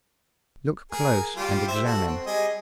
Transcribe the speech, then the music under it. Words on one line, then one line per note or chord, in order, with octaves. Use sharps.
"Look close, and examine."
G#4 A#4
G3 F4 G4
C5 E5
F#4 A4
C4
G3 G#4 D#5